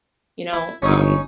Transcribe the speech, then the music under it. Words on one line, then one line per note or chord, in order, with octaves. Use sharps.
you know, um,
E4
G1 C#4 D#4 C#5